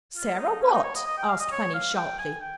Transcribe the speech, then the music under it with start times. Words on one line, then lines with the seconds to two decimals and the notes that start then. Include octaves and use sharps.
'Sarah what?' asked Fanny, sharply.
0.16 F4
0.39 D#4
0.62 C#4
0.73 D#4
0.83 C#5
0.96 D#5
1.06 D#5
1.18 G5
1.28 F5
1.40 D#5
1.52 C#5
1.74 F5
1.96 G5
2.19 G#5
2.41 G5